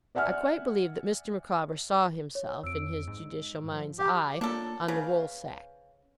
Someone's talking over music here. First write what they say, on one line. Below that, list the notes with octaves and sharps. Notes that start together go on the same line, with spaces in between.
I quite believe that Mr. Micawber saw himself, in his judicial mind's eye, on the woolsack.
D5 E5 F#5 G#5 F6
C#5
F2 E6 D7
G#2
F3
G4 D6
A#3 D4 F4 A4 C#5
C#3 B4 C5 F5